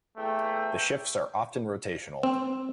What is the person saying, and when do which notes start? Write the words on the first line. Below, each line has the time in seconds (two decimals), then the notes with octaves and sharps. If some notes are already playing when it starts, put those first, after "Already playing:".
The shifts are often rotational.
0.17 E2 A3 A#3 G5
2.23 C4